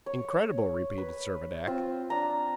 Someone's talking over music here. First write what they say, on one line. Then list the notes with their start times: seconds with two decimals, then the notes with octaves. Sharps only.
"Incredible?" repeated Servadac.
0.06 C#5
0.98 B4
1.67 C4 F4
2.10 D4 A#5